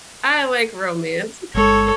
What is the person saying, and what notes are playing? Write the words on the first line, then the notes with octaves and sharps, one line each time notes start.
I like romance.
G1 G#3 A4 C#5